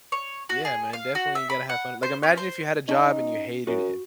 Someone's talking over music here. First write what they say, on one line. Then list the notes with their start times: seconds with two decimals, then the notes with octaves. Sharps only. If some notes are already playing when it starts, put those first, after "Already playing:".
Yeah, man, definitely you gotta have fun like, imagine if you had a job and you hated it,
0.12 C#5
0.49 F#4
0.65 G#4
0.93 F5
1.15 F#4
1.35 E5
1.50 B5
1.69 F#5
2.03 C5
2.23 C#4
2.37 C5
2.89 C#4 D#4 A5
3.67 F#2 F#4